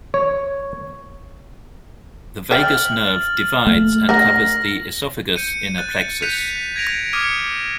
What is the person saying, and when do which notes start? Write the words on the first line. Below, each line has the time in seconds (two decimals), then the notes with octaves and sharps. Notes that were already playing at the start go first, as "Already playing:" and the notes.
The vagus nerve divides and covers the esophagus in a plexus.
0.14 C#5
2.51 C5 E5 G5 F6 A6 F#7
3.67 A3 A#3
4.09 D3 A#4 F#5 A#6
5.36 G6 C#7 D#7
5.78 F#6 A6
6.22 F#6 G6 B6 C#7 D#7 F7
6.76 G#6 A#6 D7 F7
7.13 D6 D#6 F6 G#6 C#7 D#7